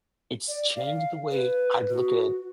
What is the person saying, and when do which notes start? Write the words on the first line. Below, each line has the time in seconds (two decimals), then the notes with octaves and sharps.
it's changed the way I'd look at
0.48 D5
0.76 F5
1.31 B4
1.89 F#4